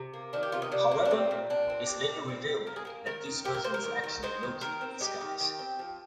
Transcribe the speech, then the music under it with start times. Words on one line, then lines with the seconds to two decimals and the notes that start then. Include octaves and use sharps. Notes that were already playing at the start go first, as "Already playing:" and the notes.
However, it's later revealed that this version is actually Loki in disguise.
Already playing: C3
0.14 A#3
0.33 D#3 D4
0.43 G4
0.52 C3 F4
0.62 D#4
0.72 C3 D4
0.91 A#3
1.05 D4
1.10 G3 C4
1.31 A#2
1.50 A#2 D4
1.70 C4
1.89 G3
2.09 A#2
2.28 A#2 C4
2.48 C4
2.66 A#3 A#4
2.76 G#4
2.85 A#3 A#4
3.06 D#3 A#4
3.26 D#3
3.45 A#3 G4
3.54 A#4
3.64 A#3 C5
3.74 A#4
3.84 D#3
4.04 D#3
4.23 G#3 C5
4.43 D#3
4.61 D#3 A#4
4.81 C4
5.00 G#3 G4
5.21 D#3
5.40 D#3
5.59 C4
5.79 F3